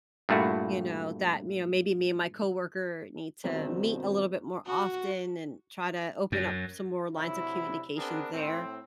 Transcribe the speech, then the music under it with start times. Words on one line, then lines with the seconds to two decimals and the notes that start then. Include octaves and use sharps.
you know, that, you know, maybe me and my coworker need to meet a little bit more often, and try to open up some more lines of communication there.
0.29 G2 A#2 A3 E4 F#4
3.44 G2 B2 D#3 C4
4.66 F#4
6.32 F#2
7.15 D2 C3 F#3 E4
7.96 B3 C4 D4 G#4 A#4
8.32 A2 C4